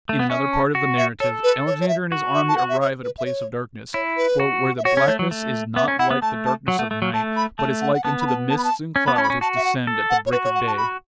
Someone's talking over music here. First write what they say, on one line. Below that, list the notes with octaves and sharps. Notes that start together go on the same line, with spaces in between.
In another part of the narrative Alexander and his army arrive at a place of darkness "where the blackness is not like the darkness of night, but is like unto the mists and clouds which descend at the break of day".
A3
B3 F#5
C#4 E5
A5
F#4
E5
A4 C#5
B4
C#5
C#5
E5
F#4
E5
A5
F#5
E5
C#5
B4
E5
C#5
E4 C#5
B4
F#4
E5
F#4 C#5
C#4
A3
F#3
A3
B3 E5
C#4
E4 F#5
B3
A3 A5
A5
F#3 F#5
A3
A3
F#3
A3 A5
B5
A3 A5
F#5
F#5
B3 A5
B5
A5
A5
B5
A5
C#4
B3 B5
C#4 A5
B5
C#4
F#4 A5
E5
F#5
A4
F#5
C#5
F#4 B4
C#5
F#5
A5
B5